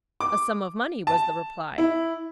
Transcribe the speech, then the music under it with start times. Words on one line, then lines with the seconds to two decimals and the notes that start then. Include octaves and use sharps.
"A sum of money," was the reply.
0.20 D6
1.07 A5
1.78 E4